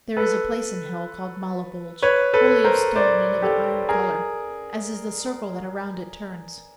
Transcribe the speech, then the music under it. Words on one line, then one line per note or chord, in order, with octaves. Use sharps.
There is a place in Hell called Malebolge, Wholly of stone and of an iron colour, As is the circle that around it turns.
A4 B4
B4 C#5
A4 B4
A#4 C5
C5 D5
G4 A4
G#4 A#4